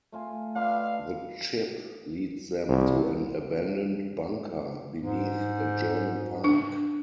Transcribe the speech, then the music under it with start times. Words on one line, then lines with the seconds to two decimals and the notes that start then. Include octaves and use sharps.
The chip leads them to an abandoned bunker beneath a German park.
0.12 A3 F4 G#5
0.56 D4 F4 B4 F5
2.69 C2
5.02 G#2
6.44 D4